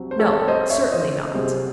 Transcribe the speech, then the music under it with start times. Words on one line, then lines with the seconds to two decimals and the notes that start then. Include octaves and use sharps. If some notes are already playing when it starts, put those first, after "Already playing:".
No; certainly not.
Already playing: C2 C3 F#3 C4
0.11 C5
0.19 A4 C#5
0.48 C5 D#5
0.70 C#5 E5
0.92 C5 D#5
1.34 C2 C3 F#3 C4 G#4 C5